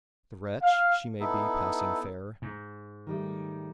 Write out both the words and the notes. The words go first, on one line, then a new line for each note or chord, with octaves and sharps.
The wretch, she may be passing fair.
F5
B3 D#4 E4 A4
G#2
D#3 G3 A3